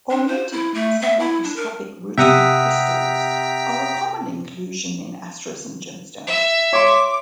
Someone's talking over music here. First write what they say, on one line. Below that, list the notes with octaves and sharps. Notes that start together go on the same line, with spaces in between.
Oriented sub-microscopic rutile crystals are a common inclusion in asterism gemstones.
D4
C5
E4
A3
E5
E4
D4
A#4
C3 E5 F#5 G5 A#5 D#6 B6
E5
C#5 C6 D6